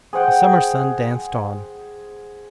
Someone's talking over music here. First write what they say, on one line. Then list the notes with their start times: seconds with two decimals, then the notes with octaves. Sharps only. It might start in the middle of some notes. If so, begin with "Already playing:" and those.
The summer sun danced on.
0.13 G#4 C5 F#5 G5